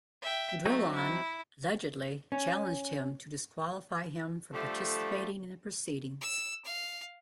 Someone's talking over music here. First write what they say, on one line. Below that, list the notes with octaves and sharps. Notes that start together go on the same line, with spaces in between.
Drilon allegedly challenged him to disqualify him from participating in the proceedings.
E5 G5
F#3 A3 C4 D#4
E4
C#4
D3 F3 G3 A3
E6
F5